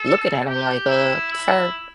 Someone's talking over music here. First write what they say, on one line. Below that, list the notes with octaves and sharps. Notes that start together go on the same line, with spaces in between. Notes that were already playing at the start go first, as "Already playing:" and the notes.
looking at him, like, "Uh, sir,
Already playing: A4
G4
E4
E4